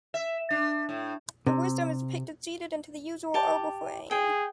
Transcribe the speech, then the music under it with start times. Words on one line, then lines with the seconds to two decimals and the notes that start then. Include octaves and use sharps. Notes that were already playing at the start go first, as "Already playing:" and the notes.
The “Wisdom” is depicted seated into the usual oval frame.
0.14 E5
0.50 D4
0.89 A2
1.47 C3
3.34 G4 A5
4.11 G#4 G5